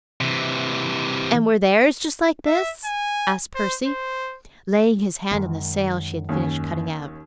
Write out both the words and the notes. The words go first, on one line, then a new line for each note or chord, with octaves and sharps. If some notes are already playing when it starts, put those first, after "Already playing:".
"And were theirs just like this?" asked Percy, laying his hand on the sail she had finished cutting out.
C3 E3
E5
G#5
C5
C5
F#2 D#3 G#3
D#2 C#4